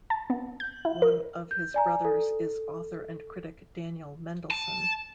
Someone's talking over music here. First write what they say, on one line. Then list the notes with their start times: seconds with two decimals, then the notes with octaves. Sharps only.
One of his brothers is author and critic Daniel Mendelsohn.
0.10 A5
0.30 B3
0.60 G6
0.85 E4
1.02 A#4
1.51 G6
1.74 D5 G#5 A#5
2.05 A4
4.51 A5